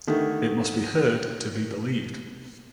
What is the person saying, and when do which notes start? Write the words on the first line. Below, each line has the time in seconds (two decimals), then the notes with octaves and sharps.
It must be heard to be believed.
0.07 D3 D#3 A3